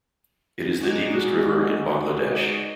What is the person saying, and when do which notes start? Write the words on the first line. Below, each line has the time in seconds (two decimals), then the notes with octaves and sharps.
It is the deepest river in Bangladesh.
0.80 G#3 D#4 F#4 D5 D#5